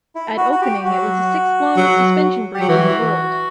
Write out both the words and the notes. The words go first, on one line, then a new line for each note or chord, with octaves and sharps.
At opening, it was the sixth-longest suspension bridge in the world.
E4
F#4
F#4
G4
F#3 F#4
F#3
G4
F#3
E3 F#4